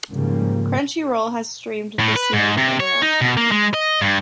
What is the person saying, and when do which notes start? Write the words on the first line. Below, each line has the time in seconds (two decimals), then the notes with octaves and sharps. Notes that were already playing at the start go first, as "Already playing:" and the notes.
Crunchyroll has streamed the series internationally.
0.10 G#2 C#3 F3 G3 A#3
2.00 A2
2.16 B4
2.33 G#2
2.58 C3
2.80 C#5
3.02 D#4
3.21 B2
3.37 A#3
3.52 G#3
3.74 D#5
4.02 G2